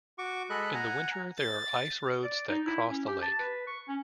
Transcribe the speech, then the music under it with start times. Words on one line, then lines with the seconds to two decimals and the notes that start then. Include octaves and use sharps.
In the winter, there are ice roads that cross the lake.
0.18 F#4 C#6 D6
0.50 G#3 A4 D#5 B5 F#6
0.75 F#5 G#5 A#5
1.38 A6
2.24 D5
2.49 D#4
2.67 E4
2.89 C#4
3.08 G4
3.22 A5
3.39 B4
3.67 C#6
3.88 C#4